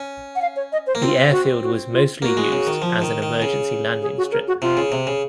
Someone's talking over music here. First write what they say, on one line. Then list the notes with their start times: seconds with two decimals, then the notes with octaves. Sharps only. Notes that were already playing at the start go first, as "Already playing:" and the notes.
The airfield was mostly used as an Emergency Landing strip.
Already playing: C#4
0.36 F#5
0.42 F5
0.56 C#5
0.72 D#5
0.87 C5
0.95 A#3
1.02 C4 F4
1.32 F#4
1.62 F#4
1.92 F4
2.22 A#3 F#4
2.37 G#3
2.52 C#3
2.67 D#3
2.82 F3
3.02 D#3
3.22 D#3
3.42 C#3
4.02 G#4
4.18 F#4
4.32 A#4
4.47 F#4
4.62 C3 F4
4.77 C#3
4.92 C3
5.07 C#3